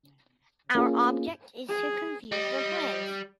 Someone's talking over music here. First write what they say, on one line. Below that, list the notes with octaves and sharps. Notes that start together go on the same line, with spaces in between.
Our object is to confuse their plans.
A#3 C#4 F4 G#4
G#4
G3 D#5